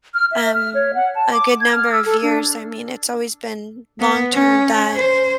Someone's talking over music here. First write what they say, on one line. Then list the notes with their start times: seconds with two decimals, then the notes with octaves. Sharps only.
um, a good number of years, I mean, it's always been long term that
0.15 F6
0.31 E5
0.53 F6
0.74 C#5
0.94 F#5
1.15 A5
1.31 D6
1.60 G#6
1.73 F6
1.92 E6
2.05 A4
2.22 D4
4.00 B3
4.32 C#4
4.95 C5